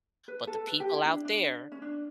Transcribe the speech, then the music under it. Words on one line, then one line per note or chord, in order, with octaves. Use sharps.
But the people out there
B4
A4
B4
G4
E4
D4
D4
C#4
D4